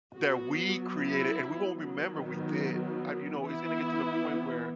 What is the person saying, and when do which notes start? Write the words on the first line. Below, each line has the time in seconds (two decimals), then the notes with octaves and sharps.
That we created and we won't remember we did, I you know, it's gonna get to the point where
0.15 F#3 B3 F#4
0.98 E4
1.80 D#3 F#3 B3
3.45 E3 B3 E4